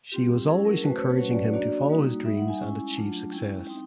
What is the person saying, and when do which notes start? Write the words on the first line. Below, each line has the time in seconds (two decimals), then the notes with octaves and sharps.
She was always encouraging him to follow his dreams and achieve success.
0.12 G3 C4 F4 G4
0.48 F#3 A3 C#4 E4 G#4
0.65 A#4
0.83 A3 C#4 F#4 B4
0.92 C5
1.01 C#5
1.10 B4
1.18 F#3 A3 C#4 F#4 C#5
1.31 D5
1.42 C#5
1.53 A#3 D4 F#4 D5
1.89 G3 A#3 D#4 F#4
2.24 G3 B3 D#4 E5
2.37 F#5
2.48 G#5
2.60 G#3 C#4 E4
2.96 F#3 A3 D4 F4
3.31 G#3 C#4 E4 G5
3.67 G3 C4 D#4 G5